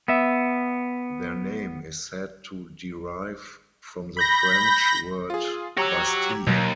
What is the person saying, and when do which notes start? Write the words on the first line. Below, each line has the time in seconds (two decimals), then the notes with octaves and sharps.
Their name is said to derive from the French word "bastille".
0.08 B3 E5
4.17 B5 G6 A#6
5.30 F4 G#4
5.77 F#4 G4 C#5 A#5 E6
6.47 D#2 B2 F#3